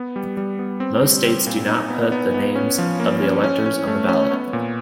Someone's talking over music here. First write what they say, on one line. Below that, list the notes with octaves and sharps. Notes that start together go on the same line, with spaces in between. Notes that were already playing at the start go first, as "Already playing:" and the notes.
Most states do not put the names of the electors on the ballot.
Already playing: B3
G3
G3
B3
C4
G3
C4
A#2
D#4
B3
B3
B3
C#4
F3
A#3
C#4
C#4
C#4
A3
C#4
B3
A#2